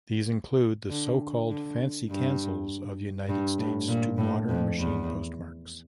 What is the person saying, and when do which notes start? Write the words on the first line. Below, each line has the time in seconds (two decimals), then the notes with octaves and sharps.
These include the so-called fancy cancels of United States to modern machine postmarks.
0.89 D3
1.49 D3
2.09 G2
3.29 G2
3.58 A2
3.88 A#2
4.18 A2
4.49 F2
4.79 E2